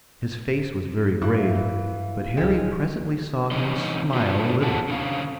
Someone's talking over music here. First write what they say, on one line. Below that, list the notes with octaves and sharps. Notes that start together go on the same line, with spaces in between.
His face was very grave, but Harry presently saw him smile a little.
G2 E3 E4 F5
C#2 G#3 C#4 D#4 G5
E3 C4 C#4 D#4 D#5
D4 F4 F#4 C5
C3 E3 F#4 A5
D3 C4 C#4 F5